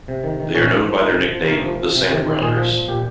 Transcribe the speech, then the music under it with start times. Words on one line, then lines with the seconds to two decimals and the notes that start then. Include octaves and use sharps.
They are known by their nickname "the Sandgrounders".
0.08 C3
0.24 D#3
0.40 D#3
0.55 A#2 C#4
0.70 F3
0.86 F3
0.97 F4
1.02 C3 D#4
1.17 F3
1.32 F3
1.48 C3 A#4
1.64 F3
1.80 F3
1.95 C3
2.10 D#3
2.26 D#3
2.41 A#2 G#4
2.57 F3
2.73 F3
2.88 A#2 G4